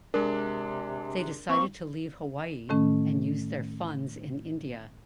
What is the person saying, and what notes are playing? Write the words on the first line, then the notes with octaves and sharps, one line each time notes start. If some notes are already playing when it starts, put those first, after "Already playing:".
They decided to leave Hawaii and use their funds in India.
C3 G#3 D4 A#4
A#3 C4 C#6
A2 D#3 A3 C#4